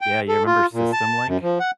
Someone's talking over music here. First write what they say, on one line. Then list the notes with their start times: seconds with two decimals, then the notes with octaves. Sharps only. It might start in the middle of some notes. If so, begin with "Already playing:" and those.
Yeah, you remember SystemLink?
0.01 G5
0.29 A4
0.46 F4
0.73 A#2
0.93 A5
1.27 F#2
1.42 F3
1.60 F#5